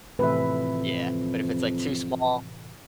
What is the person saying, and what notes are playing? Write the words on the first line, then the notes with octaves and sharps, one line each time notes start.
yeah, but if it's, like, too small,
F2 A2 C3 E3 B4 E5